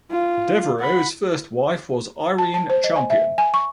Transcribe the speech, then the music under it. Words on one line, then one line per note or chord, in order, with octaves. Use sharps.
Devereaux's first wife was Irene Champion.
F4
F#5 B5
A5
A5
C5
D#5
G#5
E5
G#5
C#6